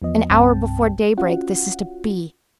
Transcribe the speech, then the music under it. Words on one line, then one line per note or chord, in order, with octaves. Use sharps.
An hour before daybreak this is to be.
E2 F3 B3 D#5
C2 G2 C4 G5 A5
C#4 F4 F#4 F#5